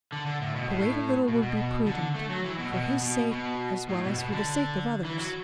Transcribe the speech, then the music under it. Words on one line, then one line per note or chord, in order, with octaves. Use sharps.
To wait a little would be prudent, for his sake as well as for the sake of others.
D3
D3
A2
B2
A2
B2
B2
B2
D3
A3
F#3
E3
B2
B2
B2
B2
A2
B2
B2
D3
E3
F#3